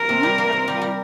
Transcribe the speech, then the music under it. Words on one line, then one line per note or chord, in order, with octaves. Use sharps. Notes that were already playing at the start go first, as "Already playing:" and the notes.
Mhm. Have a good day.
Already playing: A#3 A#4
C3
G3
A#3
C3
G3
G3